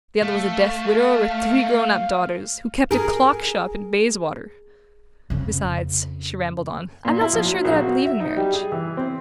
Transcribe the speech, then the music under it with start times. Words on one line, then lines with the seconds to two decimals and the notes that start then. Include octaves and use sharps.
The other was a deaf widower with three grown-up daughters, who kept a clock-shop in Bayswater!--Besides," she rambled on, "I'm not so sure that I believe in marriage.
0.22 A3 F5
2.91 G#4 A#4
5.30 F2 C#3
7.05 A#2
7.21 E4
7.33 F3
7.45 F#3
7.65 A#1
7.76 F#4
8.06 E5
8.20 D#4
8.37 G3
8.53 G#4
8.72 E3
8.97 C4